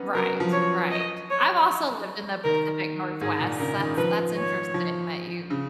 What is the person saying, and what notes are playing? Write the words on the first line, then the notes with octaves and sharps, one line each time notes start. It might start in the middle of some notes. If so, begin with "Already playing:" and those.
Right, right. I've also lived in the Pacific Northwest, that's that's interesting that you,
Already playing: B3 C#4 D#4
F#3 A#4
F3
C#5
D#5
C#5
D#3 A#4
G#2 G#4
A#2
C#3 A#4
D#3
F3 B4
C#5
F3
C#3